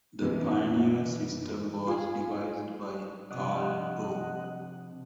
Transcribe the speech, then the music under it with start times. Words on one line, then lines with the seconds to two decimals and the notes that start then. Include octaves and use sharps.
The Pioneer system was devised by Karl Rove.
0.22 F#2 B2 E3
1.87 F4 G#4
3.31 C3 F3 D4 D#5 F#5